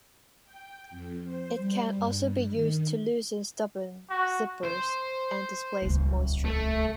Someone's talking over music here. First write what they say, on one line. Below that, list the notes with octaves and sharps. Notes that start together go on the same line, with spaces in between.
It can also be used to loosen stubborn zippers and displace moisture.
G5
F2
C5
G3
G2
D#3
F#4
C5
D#1 C#2
A3